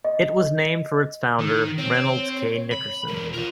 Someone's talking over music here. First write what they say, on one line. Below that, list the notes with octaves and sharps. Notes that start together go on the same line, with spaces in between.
It was named for its founder, Reynolds K. Nickerson.
D#5
D#3
C4 C#5
B5
E2 G#3 A#4
F4 A#4 C#5